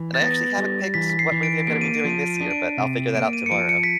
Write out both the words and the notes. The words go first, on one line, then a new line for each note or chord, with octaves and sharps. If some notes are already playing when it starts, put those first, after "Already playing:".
and I actually haven't picked what movie I'm gonna be doing this year, but I'll figure that out tomorrow.
Already playing: E3
A6
B3 A#6
G3
E3 B6
B6
C7
E3
D7
A#3 D7
D#7
D7
F3
D#7
D7
D4 D#7
D7
C3
A#3 D7
D#7
C#7
F3 D7
C#7
B6